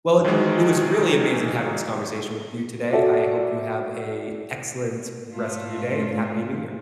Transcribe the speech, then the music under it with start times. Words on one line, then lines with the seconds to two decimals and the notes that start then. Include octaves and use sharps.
Well, it it was really amazing having this conversation with you today. I hope you have a excellent rest of your day, and happy New Year.
0.24 D#3 E3 F#3 G#3
2.93 F#4 A4 D5 E5
5.32 G#2 A3 F4